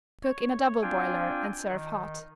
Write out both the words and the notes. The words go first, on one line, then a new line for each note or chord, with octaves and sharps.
Cook in a double boiler and serve hot.
C#5
C4 D4 F4 G5 G#5
D#3